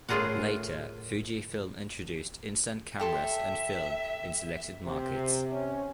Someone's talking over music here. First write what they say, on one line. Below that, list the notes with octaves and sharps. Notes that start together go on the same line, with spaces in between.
Later, Fujifilm introduced instant cameras and film in selected markets.
A2 A3 F4 G#4 A#4 F#5
G4 A4 E5 C6
C3
C#4